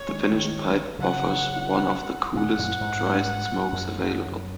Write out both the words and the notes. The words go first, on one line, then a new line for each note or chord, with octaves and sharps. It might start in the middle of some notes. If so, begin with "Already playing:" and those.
The finished pipe offers one of the coolest, driest smokes available.
Already playing: C#5
D#3 G#3
D#3 G#3
C#3 F#3 F#5
A#2 D#3 F#5
F#2 A#2
G#2
F#2